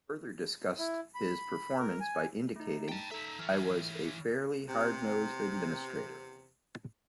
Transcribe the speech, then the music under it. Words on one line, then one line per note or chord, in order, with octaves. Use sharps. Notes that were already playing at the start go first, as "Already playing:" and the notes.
He further discussed his performance by indicating, I was a fairly hard-nosed administrator.
E4
B5
A#4
G#5
A3 D#4
G5 A5
D#4 A4 E5 A#5
E3 C#5 F6
E2 C3